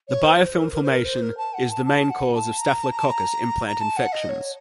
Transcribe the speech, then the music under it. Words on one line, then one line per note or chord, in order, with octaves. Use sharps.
The biofilm formation is the main cause of "Staphylococcus" implant infections.
C#5
C5
C5
A#4
A#4
C5
A#4
C5
A#4
A5
F#5
A5
A5
F#5
A5
A#5
A5
A#5
A5
A#5
A#5
A5
F#5
D#5
C#5